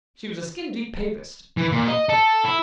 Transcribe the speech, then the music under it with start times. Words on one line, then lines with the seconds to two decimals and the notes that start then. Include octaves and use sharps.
She was a skin-deep Papist.
1.57 E3
1.72 A#2
1.87 D#5
2.09 A4
2.45 E4